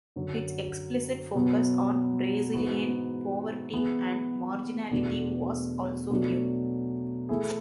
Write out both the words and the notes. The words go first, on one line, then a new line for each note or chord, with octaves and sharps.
Its explicit focus on Brazilian poverty and marginality was also new.
F#2 D3 F#3
B2 F#3 B3 F#4
G#2 E3 B3 F#4
E3 B3 E4 G#4
E2 B2 A3 D4 F#4
B2 F#3 A3 D4 F#4
E3 A3 E4 G#4